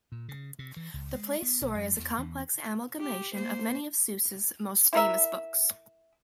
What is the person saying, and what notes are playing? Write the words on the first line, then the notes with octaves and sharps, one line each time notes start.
The play's story is a complex amalgamation of many of Seuss's most famous books.
A#2
C#3
C3
E3
C#2
G#3
B3
B1
F#2
E2
E2
G4
A#3 C5
E4 A#4 E5